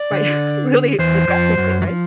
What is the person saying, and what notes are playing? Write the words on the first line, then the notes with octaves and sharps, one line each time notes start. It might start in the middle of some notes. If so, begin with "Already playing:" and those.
right, really aggressively, right?
Already playing: D5
D3
E2 E3 C5
F2 F3
F#2 F#3
F#3
F3